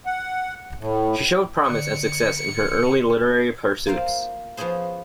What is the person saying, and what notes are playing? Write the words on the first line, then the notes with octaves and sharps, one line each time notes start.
She showed promise and success in her early literary pursuits.
F#5
A2
D3 C#7
A#3 F4 A#4 C5 F5
F3 B3 C#4 G#4 C5